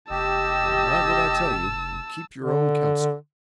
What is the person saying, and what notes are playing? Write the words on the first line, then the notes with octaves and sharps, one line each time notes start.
Now, mind what I tell you, and keep your own counsel.'
F1 G4 D#5 A5 E6
D3